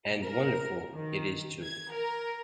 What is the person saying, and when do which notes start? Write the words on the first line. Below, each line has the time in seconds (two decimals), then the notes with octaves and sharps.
And wonderful it is too.
0.23 A#4
0.92 D#3
1.63 G#6
1.92 A#4